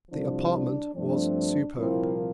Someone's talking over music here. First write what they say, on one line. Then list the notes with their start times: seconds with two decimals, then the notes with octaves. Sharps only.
The apartment was superb.
0.11 C2 C3 F3 D4
0.53 D4
0.94 G2 F3 A3 C4 D4
1.78 C2 A#2 F3 A#3 C4 E4